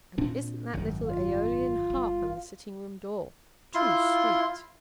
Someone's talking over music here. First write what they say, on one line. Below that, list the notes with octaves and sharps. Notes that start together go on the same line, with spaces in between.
"And isn't that little Aeolian harp on the sitting room door too sweet!"
A#2 C4 D4
G#1 F#2 D#3
F4
G1
E4 F4 C6